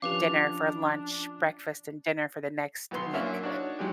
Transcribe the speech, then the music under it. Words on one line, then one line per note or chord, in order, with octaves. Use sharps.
dinner for lunch, breakfast, and dinner for the next week,
F3 C#4 D4 G4 B4 F5 D6 F7
B1 B3 C6
F#3 A#3 C#4 D4 F#4 E5
D4 D#4 F#4 C#5
F#3 G#3 G4